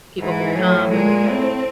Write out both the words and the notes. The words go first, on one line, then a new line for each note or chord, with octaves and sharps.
people could come, and we could
G#2 E3
A2 F#3
A#2 G#3
A2 C4